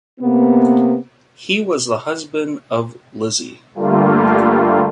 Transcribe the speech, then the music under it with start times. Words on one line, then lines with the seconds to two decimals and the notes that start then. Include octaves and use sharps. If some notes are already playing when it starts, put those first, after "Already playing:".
He was the husband of Lizzie.
0.20 C3 A#3 B3
3.74 G2 D3 G3 A3 A#3 F4